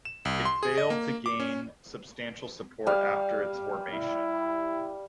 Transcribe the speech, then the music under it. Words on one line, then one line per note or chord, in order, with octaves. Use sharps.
It failed to gain substantial support after its formation.
E7
C2
C6
G#4
D#5
A#3
D6
C#4
G3 F5
E4